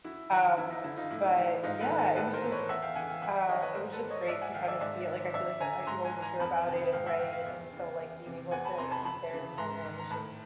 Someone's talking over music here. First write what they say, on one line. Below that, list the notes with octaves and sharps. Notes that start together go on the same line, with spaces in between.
Um, but yeah, it was just, uh, it was just great to kinda see it, like, I feel like I you always hear about it, right, and so, like, being able to be there in the moment was just
F#2 E4 F#4
D#3
F#2 E4
D#4
D3 E4
D#4 F4
A2 E4
E3
G#2 D#4 F4
A4 B4
D#3
A4 B4
A2 A4 B4
A#4 C5
E3
B4 C#5
E2 E5 F#5
F5 G5
C#3 E3 F#5 G#5
F5 G5
F#2 E5 F#5
D#3 C#5 D#5
B4 C#5
G#2 A#4 C5
A4 B4
E3
C#5 D#5
G#2 D5 E5
F#5 G#5
D#3 F5 G5
D5 E5
G#2 D5 E5
D#3
F#2 D5 E5
D3 G#5 A#5
G#2 A#5 C6
G#5 A#5
E3
G#5 A#5
F2 A5 B5
C3 D#3 G5 A5
G#2 F5 G5
E5 F#5
E3 F5 G5
F5 G5
E2
C#3 E3
E2
C3 E3
E2 F#5 G#5
A5 B5
C3 E3 A#5 C6
A5 B5
F#2 A5 B5
C#3 E3
G#2 A#5 C6
D#3
A#5
A2 A5 B5